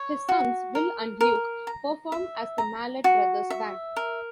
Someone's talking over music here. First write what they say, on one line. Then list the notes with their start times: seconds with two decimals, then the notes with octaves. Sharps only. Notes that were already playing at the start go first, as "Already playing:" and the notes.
His sons, Will and Luke, perform as The Mallett Brothers Band.
Already playing: C#5
0.29 F#4
0.75 A#4
1.21 A#4
1.67 A#5
2.12 E5
2.58 A#5
3.04 F#4
3.50 E5
3.96 A#4